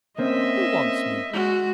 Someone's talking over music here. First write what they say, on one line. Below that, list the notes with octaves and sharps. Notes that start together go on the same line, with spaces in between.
"Who wants me?"
A#3 C4 C#4 D#5 E5
G#3 F#4